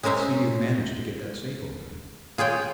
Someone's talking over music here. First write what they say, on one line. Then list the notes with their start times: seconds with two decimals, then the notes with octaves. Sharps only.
I see you've managed to get that safe open.
0.03 G#3 C#4 A#4 C5 E5
2.38 F4 G#4 C#5 G5